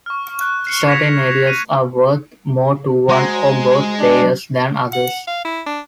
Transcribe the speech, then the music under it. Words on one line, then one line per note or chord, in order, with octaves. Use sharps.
Certain areas are worth more to one or both players than others.
C#6 F6
F#6
C7 C#7
G#6 A#6 B6 C#7 E7 F7
G#6
F#6 D#7
G#3 F#4 C5 A#5
D4
F#5
F5
E4
D4